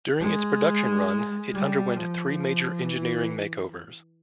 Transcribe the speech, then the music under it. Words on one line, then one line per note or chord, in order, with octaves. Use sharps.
During its production run it underwent three major engineering makeovers.
G#3
G3
F3
E3